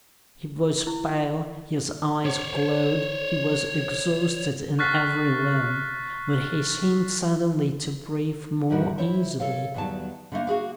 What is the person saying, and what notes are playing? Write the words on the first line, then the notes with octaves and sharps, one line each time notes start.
He was pale, his eyes glowed, he was exhausted in every limb, but he seemed suddenly to breathe more easily.
E4
C#5 D5
C#6 F6 F#6 A6 B6 C7
F2 A2 G3 E4 F#4 A#4
E4 C5 C#5 E5
A4 A#4 C#5 F5
E2 D#3 F#3 G3 A5
D3 A3 A#3
A#3 F#4 G#4 F5